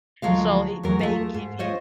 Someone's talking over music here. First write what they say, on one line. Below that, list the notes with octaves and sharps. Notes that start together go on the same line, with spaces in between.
So it may give I
D2 F3 F#3 G#3 F5
E2 F#3 A#4
A3 F4 G#4
G#2
F4 C5 C#5 D#5